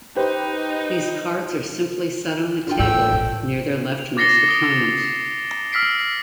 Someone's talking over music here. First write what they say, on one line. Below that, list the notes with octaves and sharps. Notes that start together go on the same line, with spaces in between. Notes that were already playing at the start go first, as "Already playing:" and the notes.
These cards are simply set on the table near their left-most opponent.
D#4 G4 B4 C5
D3 F4 G5
E2 A2 A3 G5 E6
A1 A#2
F7
D6 A6 A#6 C7 C#7 G7
D#6 A#6 D7 G7
E6 F6 B6 C7 D7